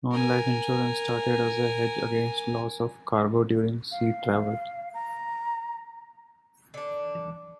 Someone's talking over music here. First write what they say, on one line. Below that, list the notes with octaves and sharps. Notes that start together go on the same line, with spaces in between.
Non-life insurance started as a hedge against loss of cargo during sea travel.
A#4 G#5
F5
A#5
D3 D4